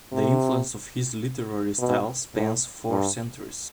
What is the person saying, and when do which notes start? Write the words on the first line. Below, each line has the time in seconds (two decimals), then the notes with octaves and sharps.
The influence of his literary style spans four centuries.
0.12 C3
1.79 B2
2.35 A2
2.90 G2